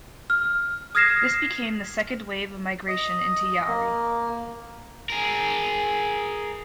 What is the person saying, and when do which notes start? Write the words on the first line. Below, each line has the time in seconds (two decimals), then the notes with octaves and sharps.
This became the second wave of migration into Yauri.
0.30 F6
0.95 D#6 F6 G#6 A#6 C7 E7
2.88 D#5
3.67 A#3
5.10 G#4 A#4